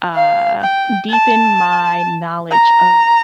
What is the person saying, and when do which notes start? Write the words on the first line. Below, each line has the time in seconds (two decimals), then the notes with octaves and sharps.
uh, deepen my knowledge of
0.14 F5
0.61 G5
1.09 A5
2.51 A#5